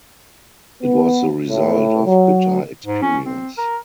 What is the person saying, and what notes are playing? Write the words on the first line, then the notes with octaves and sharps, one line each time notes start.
It was the result of bitter experience.
B3
A2
F#3
G#2
C#4
C4
A#4